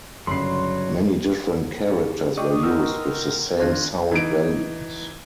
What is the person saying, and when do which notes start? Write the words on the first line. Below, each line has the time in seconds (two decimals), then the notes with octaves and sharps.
Many different characters were used with the same sound values.
0.27 G1 C#3 F#3 B5 C6 C7
1.88 D#4 G4 G#4
2.37 D4 D#5 G5 C#6 D#6
2.63 B3 D#4 A#4 F#5 G5 C6 E6
3.60 D#3 D4 F4 C5 F#6 G#6 A#6
4.11 E3 D#4 D7